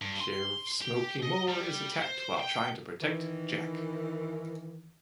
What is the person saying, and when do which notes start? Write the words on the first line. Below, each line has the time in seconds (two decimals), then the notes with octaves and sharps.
Sheriff Smoky Moore is attacked while trying to protect Jack.
0.01 G2
0.21 C6
0.82 G4
1.23 D#5
1.48 G3
2.02 C5
2.40 G5
3.02 D#3 E3